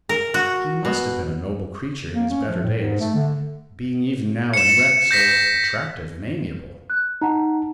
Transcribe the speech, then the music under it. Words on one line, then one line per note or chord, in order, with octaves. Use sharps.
He must have been a noble creature in his better days, being even now in wreck so attractive and amiable.
A#4
F#4
B2
A#3
C#4
F3
A2
G#2
A3
D3
C#7 E7
G6 A#6 B6
F#6
D#4 F#5 A5 A#5